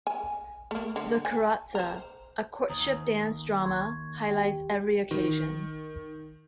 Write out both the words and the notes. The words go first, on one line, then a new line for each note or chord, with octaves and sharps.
The "kuratsa" - a courtship dance-drama - highlights every occasion.
G#5
A3 A#3
D3
G#5
C5 A#5
D#2 A#5 D#6
C6 C#6 G#6
G4 G5
D#3